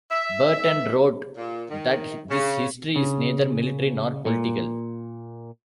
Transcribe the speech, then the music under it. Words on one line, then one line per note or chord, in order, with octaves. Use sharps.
Berton wrote that this history is neither military nor political.
E5
A#2
D#3
C#3
C#3
A#2